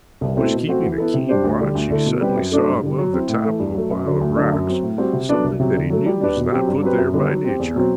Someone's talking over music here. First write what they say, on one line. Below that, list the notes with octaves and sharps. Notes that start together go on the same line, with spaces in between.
Always keeping a keen watch, he suddenly saw above the top of a pile of rocks something that he knew was not put there by nature.
C2
B2 A3 C4 E4
B2
A3 C4 F#4
E3
B3 E4 A4
C3
G3 D4 G4 C5
D2
D3 G3
D2
D3 A3 E4
B2
G3 C4 G4 B4
F#2
F#3 A3 D4 A4
G2
D3 G3
F#3
C4 E4
A2
E3 A3
G2
F#3 A3
F#2
D3 F#3
D2
D3 F#3 A3 D4
F#2
F#3 C4
A2
G3 C4 F#4
C3
F#3 B3 D4 A4
C2
C3 F#3
D3
F#3 A3
G3
D4 G4 B4 D5
B2
F#3 C4 G4
G2
F#3 C4 G4 B4
F#2
D3 G3 B3
F#3
C4 G4
E2
B2 F#3 C4